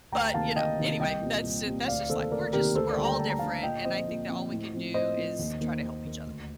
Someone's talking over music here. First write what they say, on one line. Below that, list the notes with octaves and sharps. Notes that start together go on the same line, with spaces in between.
But, you know, anyway, that's ju that's just life. We're just we're all different, and I think that all we can do is try to help each other.
D2 G5 A#5
C3 D#3 A#3 F5 A5
D2 D#5 G5
C3 D#3 A#3
C2 D#5 G5
A#2 G3 C4
C2
A#2 G3 C4
D2 D5 F5
C3 D#3 A#3 A4 C5
D2 A#4 D5
C3 D#3 A#3 G4 A#4
D2 A4 C5
A#4 D5
D3 G3 A#3
G5 A#5
D2 A5
A#5
D3 G3 A#3 F5 A5
A#2 D#5 G5
F3 C4 C5 D#5
A#2
F3 C4
A2
F3 C4
A2 C5 D#5
F3 C4
D#2
D#3 A#3
D#2
D#3 A#3
D2